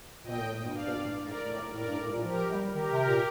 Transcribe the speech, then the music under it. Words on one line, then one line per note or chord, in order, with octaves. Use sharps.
However, no patent was granted to Google on this application.
A#2 D#5 G5
A2
G2
D5 F5
A#4 D5
A2 A#4 D5
G2
A2
A#2
F3 G4 A#4
G3
D#3 G4 A#4
C3
A#2